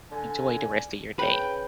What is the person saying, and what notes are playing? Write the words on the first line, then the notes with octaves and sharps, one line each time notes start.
enjoy the rest of your day.
D3 G#5
C#3 B4 G5